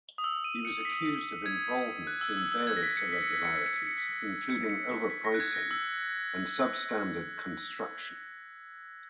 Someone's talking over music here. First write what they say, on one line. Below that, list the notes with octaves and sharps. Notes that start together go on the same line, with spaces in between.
He was accused of involvement in various irregularities, including overpricing and substandard construction.
D#6
E6
D#7
C#7
B6
G#6
F#6
E6
E6
E6
G#6
A#6
B6
C#7
B6
C#7
B6
C#7
B6
C#7
B6
C#7
B6
C#7
C#7
B6
A#6
F#6
G#6
A#6
E6